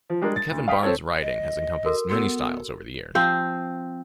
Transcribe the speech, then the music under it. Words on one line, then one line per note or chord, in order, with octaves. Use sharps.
Kevin Barnes' writing has encompassed many styles over the years.
F3
G3 G#3 D4 A#4
A6
D2
F5 G5 D#6 B6
C4 A4 C#5
D#5
F#4 A4 A#4
B3 F#4 A4 E6
F3 C4 C5